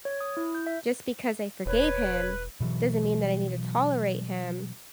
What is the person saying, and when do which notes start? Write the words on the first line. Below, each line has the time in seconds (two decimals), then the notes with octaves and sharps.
just because I forgave him doesn't mean that I need to tolerate him
0.05 C#5
0.21 D#6
0.37 E4
0.55 G6
0.67 E5
1.66 E1 B4 C#5
2.60 B2 E3 F#3